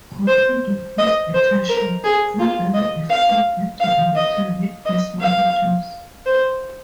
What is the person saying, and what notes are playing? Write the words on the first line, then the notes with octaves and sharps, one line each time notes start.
Concluding his internship, Gardner is called into a meeting with his managers.
C5
D#5
C5
A#4
G#4
F4
D#5
F5
F5
D#5
D#5
F5
C5